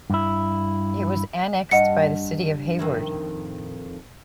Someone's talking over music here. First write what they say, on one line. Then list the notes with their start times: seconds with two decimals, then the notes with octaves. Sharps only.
It was annexed by the City of Hayward.
0.10 G2 E4
1.71 G2 D#5 F#5 C#7
2.79 F2 D#3 E4